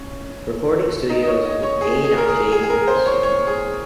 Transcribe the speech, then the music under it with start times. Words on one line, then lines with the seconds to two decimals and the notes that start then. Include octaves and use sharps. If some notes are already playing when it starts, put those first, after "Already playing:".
Recording Studios with A. J. Mogis.
Already playing: C#4
1.10 D#4
1.23 D#5
1.27 C#5
1.45 D#5
1.63 C#5
1.81 G#4
2.04 G#4
2.18 A#4
2.29 G#4
2.52 G#4
2.63 G#4
2.70 A#4
2.88 C5
3.06 C#5
3.23 C#5
3.47 G#4